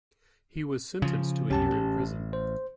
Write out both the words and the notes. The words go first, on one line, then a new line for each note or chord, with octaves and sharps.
He was sentenced to a year in prison.
C#3 F3
C2 F#2 C#4 G4 A5
A1
C5